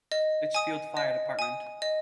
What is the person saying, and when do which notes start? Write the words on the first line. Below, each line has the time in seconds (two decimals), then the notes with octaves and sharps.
Litchfield Fire Dept.
0.12 D#5
0.55 G#5 D#6
0.97 D#5
1.39 G#5 D#6
1.82 D#5